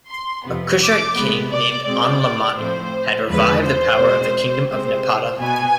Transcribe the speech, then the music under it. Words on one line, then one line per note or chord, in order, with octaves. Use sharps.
A Kushite king named Anlamani had revived the power of the kingdom of Napata.
C6
F2 C3 F3 B3
D6
C3 G#3 B3
D5
B2 G#3 C4 D5
A2 F3 A3 C4 C5
E2 D3 F3 G#3 B4
C5
B2 G#3 C4
C3 G#3 C4 C5
B2 B3 G#5